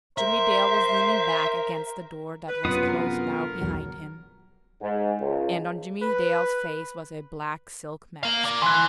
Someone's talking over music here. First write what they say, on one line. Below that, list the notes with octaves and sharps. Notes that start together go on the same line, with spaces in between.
Jimmie Dale was leaning back against the door that was closed now behind him--and on Jimmie Dale's face was a black silk mask.
A#4 C5 E5
B4
F#2 C3 B3 F4 D#6
D2 A#4
B1 E2 F#3
G#2
C#2
B4
A#4 F5
A#4 D5
E3 C6 F#6